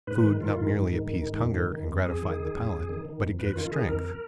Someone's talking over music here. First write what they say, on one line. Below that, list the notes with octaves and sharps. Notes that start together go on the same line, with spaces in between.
Food not merely appeased hunger and gratified the palate, but it gave strength.
G#2 B4
D#3
D#3 F4
G#2
G#2
D#3
D#3
G#2
F2
D#3
D#3
F2
F2 G#4
D#3
D#3
F2
F2
D#3
D#3
F2
F2 B4
D#3 F4
D#3 G#4
F2 A#4
A#4